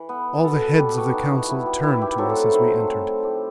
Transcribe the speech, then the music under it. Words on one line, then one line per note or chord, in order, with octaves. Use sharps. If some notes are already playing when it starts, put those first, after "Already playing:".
All the heads of the Council turned to us as we entered.
Already playing: E3
B3
B2 A4
B4
G3 B3 G4
F#4
B2 D#4
E4
G3 B3 E4
G4
D#3 E4
G4
F#3 A3 C4 A4
A4
B4
D#3 C5
F#3 A3 C4
A2 G4